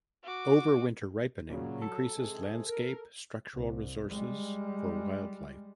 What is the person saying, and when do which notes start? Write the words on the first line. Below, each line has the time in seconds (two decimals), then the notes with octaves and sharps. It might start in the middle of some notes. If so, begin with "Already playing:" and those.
Overwinter ripening increases landscape structural resources for wildlife.
0.24 F#4 D6
1.50 A#2 C#3 F#3
1.82 A4
2.15 C3 G#3 G#4
2.67 A#4
3.53 C2
4.09 G3 G#3